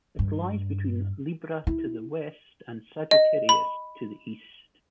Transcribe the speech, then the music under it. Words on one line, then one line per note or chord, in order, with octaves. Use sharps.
It lies between Libra to the west and Sagittarius to the east.
G2
E4
D#5
B5